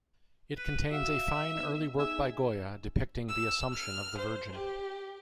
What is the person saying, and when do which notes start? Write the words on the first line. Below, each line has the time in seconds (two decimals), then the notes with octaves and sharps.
It contains a fine early work by Goya depicting the Assumption of the Virgin.
0.57 B4
0.91 F#4 E5 F5
1.28 B6
1.55 B3 D#4
1.99 D#4 G#4 E5 G#5
3.29 E6
3.73 F6
4.18 C5
4.52 G4